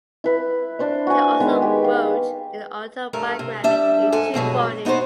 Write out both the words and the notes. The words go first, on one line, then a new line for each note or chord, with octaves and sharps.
She also wrote an autobiography in two volumes.
E4 B4
D4 C5 E5
F#4 G#5
D#3 G#3 B3 B4
G4
F5
G2 A3 A#4
C3
G3 D4 E5
G#2 A4 G#5
G2 B2 F#3 G#3
B3 D#4 F#4 B4 C5